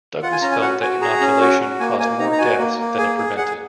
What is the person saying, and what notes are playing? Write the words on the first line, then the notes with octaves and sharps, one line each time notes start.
Douglass felt that inoculation caused more deaths than it prevented.
F4 F#5
G#5
C#4 A#5
G#5
F#4 F#5
F#4 G#5
G#4 A#5
C#4
F#4
F#4
A#3 G#5
A#3 G#5
D#4 A#5
A#5
F#4 G#5
A#3
A#3
G#4 G#5
G#4
G#4 F#5